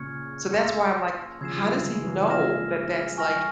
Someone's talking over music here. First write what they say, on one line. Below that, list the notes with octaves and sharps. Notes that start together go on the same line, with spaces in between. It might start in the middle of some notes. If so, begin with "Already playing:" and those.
So that's why I'm like, "How does he know that that's, like,
Already playing: A#2 C#3 C#6 F6 G#6 C#7
C6 E6 A#6 C#7
C#3 F3 E6 G#6 C7 E7
G3
F3 G#3
C#3 F3
E3
C#3 F3
A#3
F3 G#3 F6 A#6 E7
G#5 C#6 F6 A#6